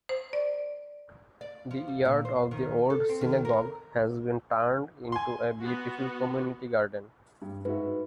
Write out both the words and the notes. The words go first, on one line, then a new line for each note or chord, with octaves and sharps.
The yard of the old synagogue has been turned into a beautiful community garden.
C5
D5
D5
F3
G3
A#2
C5
D#3
A4
C4
D#3
A#4
G#5 C6
B3 F#4
G2
G#2 F#4 B4 E5